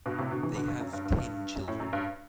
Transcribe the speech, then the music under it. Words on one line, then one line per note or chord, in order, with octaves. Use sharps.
They have ten children.
G2 B2
A2 C3
B2 D3
C3 E3
B2 D3
G2
F#2
G2
G2
F#2
F#2 A2
F#2
G2